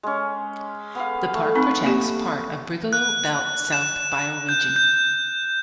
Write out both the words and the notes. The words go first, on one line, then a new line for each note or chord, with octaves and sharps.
The park protects part of Brigalow Belt South bioregion.
G#3 C#4
B3 F5
A3
C4 D#4 B4
A#3 C4 G4
F#6
E7
G6
G6